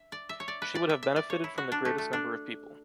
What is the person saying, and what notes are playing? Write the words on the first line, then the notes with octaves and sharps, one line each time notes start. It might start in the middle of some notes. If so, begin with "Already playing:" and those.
She would have benefited from the greatest number of people.
Already playing: E5
D5
E5
C#5
D5
B4
D5
E5
E5
D5
C#5
E4
F#4
D4
A3
A3
D4